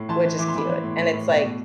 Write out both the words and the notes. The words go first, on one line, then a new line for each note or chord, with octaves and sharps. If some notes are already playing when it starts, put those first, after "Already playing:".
which is cute, and it's, like,
Already playing: A2
E3 A5 C6
E3
E3 D6
C6
E3 B5 D6
E3
A2
A2
A2
B2
B2